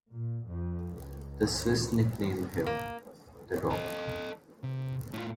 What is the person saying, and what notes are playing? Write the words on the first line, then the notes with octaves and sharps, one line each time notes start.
The Swiss nicknamed him The Rock.
A#2
F2
C#2
A#3
A4 D#5
C3
A2 F4